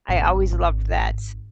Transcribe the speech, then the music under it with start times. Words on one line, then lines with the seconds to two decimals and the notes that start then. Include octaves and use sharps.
I always loved that.
0.09 G#1